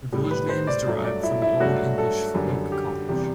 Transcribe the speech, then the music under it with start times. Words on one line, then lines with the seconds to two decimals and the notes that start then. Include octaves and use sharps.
The village name is derived from the Old English for "oak cottage".
0.13 A2 G3
0.31 B4
0.49 C5
0.67 D5
0.87 G2 F#3 A3
1.04 D5
1.23 E4
1.42 E4
1.60 G2 F#3 A3 F#4
1.98 A4
2.34 F#2 D3 G3
2.72 G4
3.09 E2 C3 G3 G4